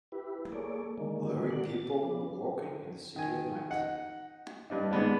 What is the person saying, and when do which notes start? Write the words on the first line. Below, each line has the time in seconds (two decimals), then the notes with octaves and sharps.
Blurry people walking in the city at night.
0.12 E4 G4 B4
0.52 A#3 G#4 A4 C#5 D5
0.98 D3 D#3 G#3 A#3
1.51 D5 F#5
1.70 A6
2.03 F3 B3 D4
3.16 D#3 G#5
3.70 D#4 F#5
4.70 G2 D4 D#4
4.91 G#2 G#3 B3 D4